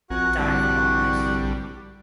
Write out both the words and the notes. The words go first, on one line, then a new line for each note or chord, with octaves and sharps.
Dive bombers.
A#1 F2 F#4 A#4 F#5 G#5 F#6
C2 G2 D3 G3